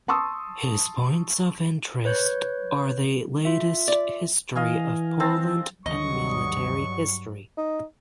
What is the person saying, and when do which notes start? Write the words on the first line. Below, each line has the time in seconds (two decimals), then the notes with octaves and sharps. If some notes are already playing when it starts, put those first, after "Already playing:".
His points of interest are the latest history of Poland and military history.
0.08 A5 C6 C#6 D#6 E6
2.05 B4 C#5 G6
3.45 F4 E5
3.88 D5
4.55 E3 D#5 F5 G#5
5.20 C4 A5
5.86 D2 G2 D#3 F#3 G3 D#5 C#6
7.57 D#4